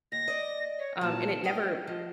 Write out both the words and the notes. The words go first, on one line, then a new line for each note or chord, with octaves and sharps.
Um, and it never
D#2 A#6
D5 D#5
C#5
A#2 F#3 A5
F#3 B3 D#5 G5
F3 D#5